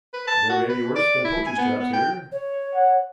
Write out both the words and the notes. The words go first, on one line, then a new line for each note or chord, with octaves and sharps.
"There may be worse than poachers' traps here."
B4
A5
F#4
B4
D5
E4
G#5
B3
B3
G5
C#5
F#5